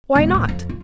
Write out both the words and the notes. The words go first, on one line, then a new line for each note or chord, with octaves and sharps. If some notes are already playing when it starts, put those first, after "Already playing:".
Why not?
E1
A2
F2
F4